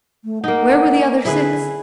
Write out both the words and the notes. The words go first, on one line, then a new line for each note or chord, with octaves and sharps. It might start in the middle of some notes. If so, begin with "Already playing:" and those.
Where were the other six?
A3
A#3 D#4 F#5
D3 E4 G#4 B4